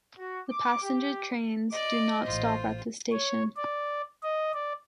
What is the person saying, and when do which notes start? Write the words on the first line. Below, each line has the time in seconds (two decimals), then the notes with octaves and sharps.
The passenger trains do not stop at this station.
0.18 F#4
0.49 D6
0.81 G4
1.72 D5 D#5 D6
2.25 A1 F4 C5
3.12 C#5
3.56 D5
4.23 D#5
4.53 D5